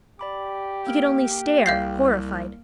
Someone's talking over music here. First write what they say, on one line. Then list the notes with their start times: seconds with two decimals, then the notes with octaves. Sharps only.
He could only stare, horrified.
0.19 G4 D5 B5 D6
0.87 A#3 F6 D7
1.66 C2 F5 G6 C7